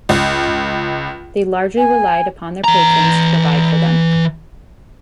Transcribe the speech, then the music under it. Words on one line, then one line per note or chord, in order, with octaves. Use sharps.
They largely relied upon their patrons to provide for them.
C#2
G#5
E3 A#5